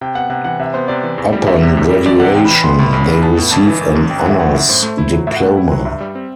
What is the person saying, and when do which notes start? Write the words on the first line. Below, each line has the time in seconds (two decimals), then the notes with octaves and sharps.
Upon graduation, they receive an Honors diploma.
0.01 C3 G5
0.15 B3 F#5
0.30 C3 F#5
0.44 E3 F#5
0.59 C3 E5
0.74 B3 C5
0.88 C3 D5
1.03 E3
1.18 E2
1.33 G3
1.46 E2 E5
1.62 C3
1.77 E2
1.91 G3
2.06 E2 D5
2.20 C3 F#5
2.34 A1 G5
2.45 B5
2.49 E3
2.55 B5
2.64 B3 C6
2.79 A2 B5
2.93 A1 B5
3.07 E3 B5
3.22 B3 A5
3.38 A2
3.51 G1 A5
3.67 E3
3.81 G1
3.95 F#2
4.10 G1 G5
4.20 F#5
4.25 E3 E5
4.40 G1 F#5
4.54 F#2 E5
4.69 A2 C5
4.83 A3
4.98 E4
5.13 F#3
5.27 A2 E5
5.36 F#5
5.42 A3
5.47 G5
5.57 E4
5.72 F#3
5.85 G2 E5
6.01 G3
6.15 C4